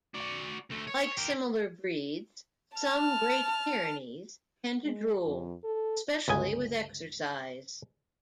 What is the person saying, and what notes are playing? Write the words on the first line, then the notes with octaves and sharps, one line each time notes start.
Like similar breeds, some Great Pyrenees tend to drool, especially with exercise.
F#4 D5
D2 A3
C#5
G4 A#4
A5 F6
G#3
F2
A4
G1 C#2 D#5 G#5